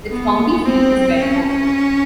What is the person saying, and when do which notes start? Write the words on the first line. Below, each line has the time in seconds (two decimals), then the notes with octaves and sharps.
Its county seat is Bedford.
0.11 B3
0.66 C4
1.21 C#4